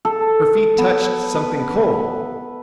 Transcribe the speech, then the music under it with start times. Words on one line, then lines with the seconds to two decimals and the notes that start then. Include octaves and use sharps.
Her feet touched something cold!
0.05 A4
0.78 B3
1.35 B4